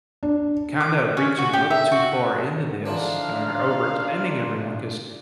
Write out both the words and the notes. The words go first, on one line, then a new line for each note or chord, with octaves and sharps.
kinda reaching a little too far into this, or overextending everyone 'cause
D4
D6
C#4
F#4
G4
E5
F#4
D3 E3 F3 D4 D#4 F4 F5